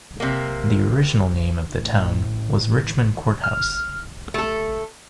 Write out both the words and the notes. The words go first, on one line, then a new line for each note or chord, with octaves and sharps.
The original name of the town was Richmond Courthouse.
C3 A#3
A1
F6
A3 A4